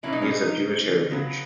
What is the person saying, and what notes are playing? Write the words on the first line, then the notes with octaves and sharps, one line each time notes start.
He is of Jewish heritage.
B2 F#3 A#3 C#4 E4
D#4
C#4
D#4
C#3 F#3 B3